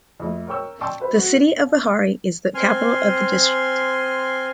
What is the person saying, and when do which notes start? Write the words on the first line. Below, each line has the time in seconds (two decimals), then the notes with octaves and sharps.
The city of Vehari is the capital of the district.
0.20 F2 A3
0.47 A#4 C#5 G5 C#6 E6
0.81 D5 G5 A5 C6 C#6 E6
1.00 B4 C5
1.16 F#4
2.55 C4 G#5 C6 F6